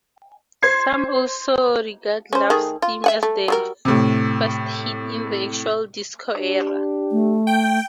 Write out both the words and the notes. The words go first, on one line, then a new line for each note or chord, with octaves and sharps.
Some also regard "Love's Theme" as the first hit in the actual "disco era".
C5 C6 G#6 C7
C#4 C5
D#3 A3 G#4
F4
E5 F#5 G#5
A3
F#3 G3 A#4
A2 C3
D4 G4
A3
G5